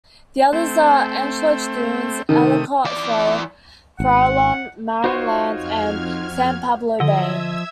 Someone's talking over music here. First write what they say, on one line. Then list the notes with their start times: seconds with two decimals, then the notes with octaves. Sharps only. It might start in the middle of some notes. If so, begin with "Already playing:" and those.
The others are: Antioch Dunes, Ellicott Slough, Farallon, Marin Islands, and San Pablo Bay.
0.53 A3 C4
2.29 C3 D#3 A3 D#6
2.85 E3 D5
4.00 G#1 F#5
5.04 D#4 F4 F#4 C5 C#5
5.54 F2 F6 G#6
7.00 D3 F3 D#5 E5 E6 G#6